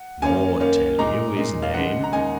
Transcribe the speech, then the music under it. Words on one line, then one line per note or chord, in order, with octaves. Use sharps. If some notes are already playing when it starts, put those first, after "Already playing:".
"Nor tell you his name?"
Already playing: F#5
F#2 D#3 A#3 C#4 G#5
F#2 D#3 A#3 C#4
A#2 G#3 D#4 A#5
A#2 G#3 D#4
F5
D#2 C#3 G#3 D#4 F#5
A#5
D#2 C#3 G#3 D#4 G#5